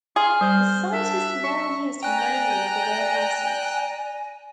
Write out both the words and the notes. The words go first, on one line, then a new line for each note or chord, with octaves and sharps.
The site is now used mainly for warehouses.
G#4 C6 F6
G3 C5
D4 E5
C#6
D5 G5 G#5 A#5 F#6